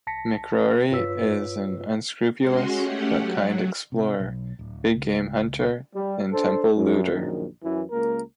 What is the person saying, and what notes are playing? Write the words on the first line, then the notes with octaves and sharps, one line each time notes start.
McRory is an unscrupulous but kind explorer, big-game hunter, and temple looter.
C2 A5 A#6 B6 C#7
G2 F4 B4 C#5 E6 B6
G#3 C#4 F#4 C6
A3 C#4 G4 F#5
F#3
C3
B1
D1
C#2
G3
D4 A4 C5
F#2
A#1 F#2 D#3
F#2 E3
C#2 A#3 A#4